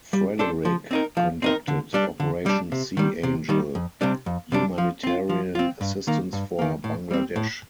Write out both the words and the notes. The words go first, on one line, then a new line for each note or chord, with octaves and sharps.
"Frederick" conducted Operation Sea Angel, humanitarian assistance for Bangladesh.
G3
D4 A4 C5
F3
C4 D#4 A#4
F3
C4 D#4 A#4
D3
G3 D4
D3
G3 D4
C3
D#3 G3
C3
D#3 G3
F2
C3 G3 D4
F2
C3 G3 D4
F3
C4 F4
F3
C4 F4
G2
D#3 A#3
G2
D#3 A#3
A2
G3 C4
A2